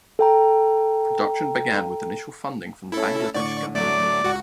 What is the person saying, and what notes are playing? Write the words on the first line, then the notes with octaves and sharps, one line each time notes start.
Production began with initial funding from the Bangladesh Government.
A4 G5 A#5
A3 C#4 E4 A4
A2 D3 D5 C#6
F#3 A3 D5 D6
C#2 F#4 F#5